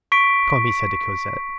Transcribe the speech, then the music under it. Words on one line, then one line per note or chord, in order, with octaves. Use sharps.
"Come." he said to Cosette.
C#6 B6 D7